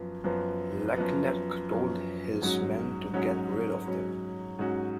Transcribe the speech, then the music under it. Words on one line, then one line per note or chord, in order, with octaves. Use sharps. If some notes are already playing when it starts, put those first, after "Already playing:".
Leclerc told his men to get rid of them.
Already playing: F#2 F3 B3
F#2 F3 B3
F#2 F3 B3
F#2 F3 B3
G#2 F#3 C#4 F#4
G#2 F#3 C#4 F#4
G#2 F#3 C#4 F#4
G#2 F#3 C#4 F#4